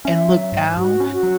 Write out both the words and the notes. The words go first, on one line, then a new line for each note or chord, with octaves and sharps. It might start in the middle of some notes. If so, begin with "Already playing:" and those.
and look down
C#4 E5
F#3
G#2
G#2 F#4
C#4
F#4
F#3